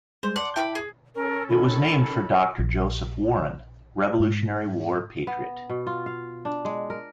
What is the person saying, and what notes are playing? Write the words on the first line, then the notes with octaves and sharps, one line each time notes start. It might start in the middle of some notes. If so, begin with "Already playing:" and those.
It was named for Doctor Joseph Warren, Revolutionary War patriot.
G3 G#3 G#4 C5
D5 F#5 A5 C6
E4 E5 G5 A5 B5 D6
G#4
C#4 A4 A#4
D#3 C#4 A4 B5
A#1
G#2
B3
B2
F4
F5
D4
G#3
A#4